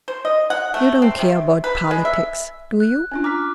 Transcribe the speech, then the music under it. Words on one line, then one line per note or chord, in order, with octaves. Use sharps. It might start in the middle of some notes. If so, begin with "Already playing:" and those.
"You don't care about politics, do you?"
C5
D#5
F#5
A3
C4
C3
B4
G#3
E5
F#6
C#4 D4 F4
A#5 D6 F6 B6